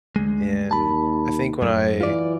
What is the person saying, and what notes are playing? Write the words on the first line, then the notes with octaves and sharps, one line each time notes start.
And, I think when I
D2 G#3
D#2 A5 B5
F#2 A3
E3 F4 D5